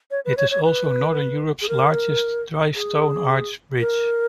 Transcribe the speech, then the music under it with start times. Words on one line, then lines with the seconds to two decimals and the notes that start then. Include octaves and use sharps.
It is also Northern Europe's largest dry stone-arch bridge.
0.11 C#5
0.25 B4
0.37 C#5
0.51 C#5
0.64 B4
1.62 G#4
1.69 A#4
2.75 G#4
3.80 A#4